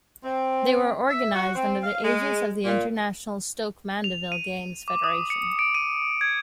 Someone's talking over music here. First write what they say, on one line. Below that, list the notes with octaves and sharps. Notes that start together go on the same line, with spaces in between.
They were organised under the aegis of the International Stoke Mandeville Games Federation.
C4
E5
F#4
C4
F5
G#3
A#2
F7
D#7
D6
D#6
C#7
D7
D#7
G#6